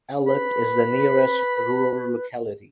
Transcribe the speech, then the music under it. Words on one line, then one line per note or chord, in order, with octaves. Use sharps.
Alak is the nearest rural locality.
B4 B5